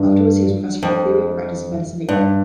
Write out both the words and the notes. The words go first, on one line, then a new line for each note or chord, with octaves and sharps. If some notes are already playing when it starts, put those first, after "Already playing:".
Afterwards, he was professor of the theory and practice of medicine at Yale.
Already playing: G2
F2
G2